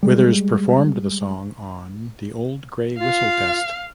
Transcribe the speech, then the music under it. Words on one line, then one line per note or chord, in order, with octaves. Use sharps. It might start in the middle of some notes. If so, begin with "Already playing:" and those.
Withers performed the song on "The Old Grey Whistle Test".
G3 G#3
F4 F5